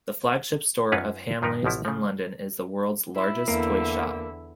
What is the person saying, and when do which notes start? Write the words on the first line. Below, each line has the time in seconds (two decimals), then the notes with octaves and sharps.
The flagship store of Hamleys in London is the world's largest toy shop.
0.92 F#2 C#4 D#4 F4 B4 C#5
1.42 G2 D#3 F3 D#4 A#4 B4
1.64 A1 B2 F3 E4
1.85 C#3 F3
3.15 E4
3.48 E2 D3 A#3 E4